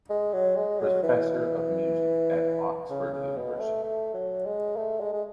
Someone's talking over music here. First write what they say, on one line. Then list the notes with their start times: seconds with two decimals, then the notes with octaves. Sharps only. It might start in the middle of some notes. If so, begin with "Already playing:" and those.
Professor of Music at Oxford University.
0.10 G#3
0.34 F#3
0.56 G#3
0.80 F#3
1.03 E3
2.90 C#3
3.13 C#3
3.37 B2
3.60 A3
3.84 A3
4.14 F#3
4.46 G#3
4.77 A3
5.00 G#3
5.13 G#3